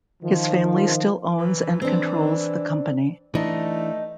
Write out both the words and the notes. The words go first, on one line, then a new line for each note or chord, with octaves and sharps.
His family still owns and controls the company.
D#3 F3
E3
E3 C4 D4
E3 A3 D4 D#4